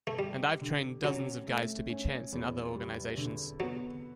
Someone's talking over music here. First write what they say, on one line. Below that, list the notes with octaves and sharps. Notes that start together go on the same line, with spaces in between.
And I've trained dozens of guys to be champs in other organizations.
A3
G3 G4
D3
F#3 C#4
A3
C#4
E2
G3
D3
F#3 B3